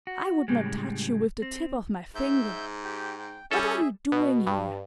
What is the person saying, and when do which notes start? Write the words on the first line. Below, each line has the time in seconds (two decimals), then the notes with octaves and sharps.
I would not touch you with the tip of my finger. What are you doing here?
0.07 F#4
0.48 A2 C#3 G3 G#3
1.42 C4
2.15 G#2 E5 G6
2.85 G4 G5
3.19 G5
3.51 G3 C#4 G#4 A4 E5
4.12 B2
4.47 G2